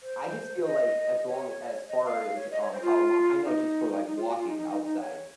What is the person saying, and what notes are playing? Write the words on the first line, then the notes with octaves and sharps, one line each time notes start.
I just feel like as long as far as, um, how long I know just for, like, walking outside,
C5
D#5
C#5
D#5
F5
F5
C#5
D#5
C#5
C5
F4
D#4
D#4
F4
F#4
F4
D#4
D#4
D#4
D#4
C#5